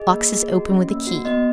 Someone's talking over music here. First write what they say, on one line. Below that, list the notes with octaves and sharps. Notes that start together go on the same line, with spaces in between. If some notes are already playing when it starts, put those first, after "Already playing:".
Boxes open with a key.
Already playing: G#4 D#5
A#3
G#4
F#4
C#4
A#3
F#4
B3 D#5